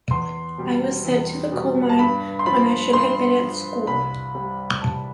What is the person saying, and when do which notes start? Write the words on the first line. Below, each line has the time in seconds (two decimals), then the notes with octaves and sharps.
I was sent to the coal mine when I should have been at school.
0.11 E2 C6
0.58 B2 G3
1.05 E2
1.52 B2 G3
1.89 A5
1.99 G2 B5
2.39 C6
2.46 F3 B5
2.93 G2 C6
3.40 F3
3.87 C2 B5
4.35 C3 G3
4.82 C2 A5